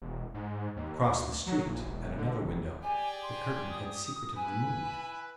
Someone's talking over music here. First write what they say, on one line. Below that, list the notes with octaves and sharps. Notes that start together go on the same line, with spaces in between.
Across the street, at another window, the curtain had secretively moved.
E1
G#2
D#2
D2
F#3
A#1
E1
D3
F1
G4 G#4 D5 G#5
C6
D#6
E4 B4 G#5